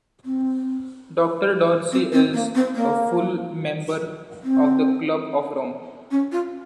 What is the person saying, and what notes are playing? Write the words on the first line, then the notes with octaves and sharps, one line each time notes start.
Doctor Dorsey is a "Full member" of the Club of Rome.
C4
C4
C4
A#3
C4
A#3
C4
C#4
F4